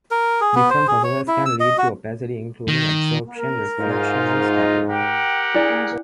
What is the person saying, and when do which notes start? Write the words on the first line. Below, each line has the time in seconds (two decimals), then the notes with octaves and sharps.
Different processes can lead to opacity including absorption, reflection, and scattering.
0.11 A#4
0.41 G#4
0.55 B3
0.70 C5
0.87 G#4
1.04 C#5
1.28 E4
1.46 E6
1.60 D#5
1.78 F#4
2.68 D#3
3.36 A#4
3.79 G#2 D#4 F4
4.55 D#5
4.89 G4 A#4 F#5 G5
5.54 D4 E4 G#4 D5